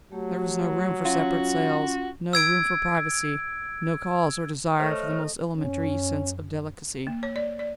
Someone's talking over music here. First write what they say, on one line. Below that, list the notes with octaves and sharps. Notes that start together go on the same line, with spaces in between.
There was no room for separate cells, no room for privacy, no cause or desire for the most elementary sense of delicacy.
F#3 A3 G4
C#4 F4 F#4
E6 G#6 D7
A3 C5 C#5 D#5 E5 F6
F#2 C#4
A#3
C#5
D5
D5